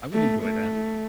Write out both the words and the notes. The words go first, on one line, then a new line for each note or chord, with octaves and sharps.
I would enjoy that.
A3
A3